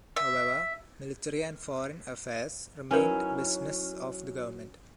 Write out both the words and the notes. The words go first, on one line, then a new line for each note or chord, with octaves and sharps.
However, military and foreign affairs remained business of the government.
E5
F#3 C#4 D#4 E4 A#4 B4 G#5